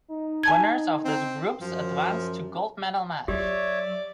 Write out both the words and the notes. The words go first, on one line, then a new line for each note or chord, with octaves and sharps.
Winners of this groups advanced to gold medal match.
D#4
G#5 A5 G#6
C4
F#2 F3
F#3 G4 C#5 D5 E5